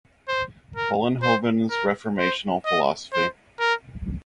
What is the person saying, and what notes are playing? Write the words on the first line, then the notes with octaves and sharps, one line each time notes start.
Vollenhoven's Reformational philosophy.
C5
A#4
C5
A#4
C5
D#5
C5
A#4